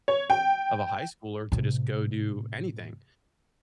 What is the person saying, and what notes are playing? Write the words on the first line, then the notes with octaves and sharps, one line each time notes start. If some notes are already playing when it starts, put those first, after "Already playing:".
of a high schooler to just go do anything,
C#5
G5
A2 C3